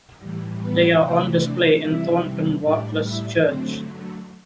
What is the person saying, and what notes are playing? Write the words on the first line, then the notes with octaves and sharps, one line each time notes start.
They are on display in Thornton Watlass Church.
A2 E3 G3
B3 B4
C3 E3 A3 C4 C5
D4 D5
C3 E3 G3 E4 E5
A2 G3 D4 D5
E4 E5
D3 F#3 A3 C4 C5